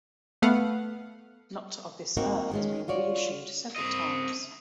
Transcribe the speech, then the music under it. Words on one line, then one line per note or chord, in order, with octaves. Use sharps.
"Not of This Earth" has been reissued several times.
A3 B3 F5 F#5
A#3 C4 D#4 F#4 A#4
D#3 G#3 C#4
F4 F#4 C#5 D5
C4 D#5